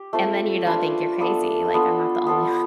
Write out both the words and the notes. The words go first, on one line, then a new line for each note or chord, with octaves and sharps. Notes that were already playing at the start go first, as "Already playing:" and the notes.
And then you don't think you're crazy, like, I'm not the only, o
Already playing: G4
A3 C4 F4 A4
D4 F4 B4
B3 D4 A4
B3 D4 F4 A4
B3 F4 A4 D5